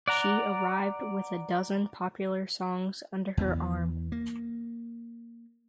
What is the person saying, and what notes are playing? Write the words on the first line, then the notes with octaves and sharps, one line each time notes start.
She arrived with a dozen popular songs under her arm.
D5 F#5 A#5
E2 E3 B3
A#3